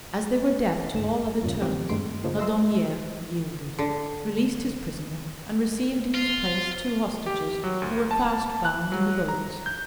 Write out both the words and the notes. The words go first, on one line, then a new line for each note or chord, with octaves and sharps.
As they were deaf to all other terms, Laudonniere yielded, released his prisoner, and received in his place two hostages, who were fast bound in the boats.
G1 G#2 E7
E2 G2 A#2 C#3
C4 G4
G2 G#3 A3 C6 D7
A#2 D3 F3 G#3 A#3
D#5 E5 A#5 C6 E6
D3
F4
G4
F#3
D2
A5
F#6
F#3
A#5
G6